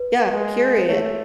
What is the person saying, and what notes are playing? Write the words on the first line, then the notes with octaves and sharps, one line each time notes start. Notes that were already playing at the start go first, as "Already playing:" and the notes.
Yeah, period.
Already playing: B4
G#3
A3 C#5